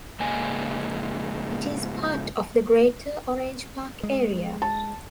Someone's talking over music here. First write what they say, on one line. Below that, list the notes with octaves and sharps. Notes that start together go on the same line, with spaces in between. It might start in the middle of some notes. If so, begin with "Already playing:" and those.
It is part of the greater Orange Park area.
G#2 C#3 A#3 G#4 D#5 G#5
G#3
A5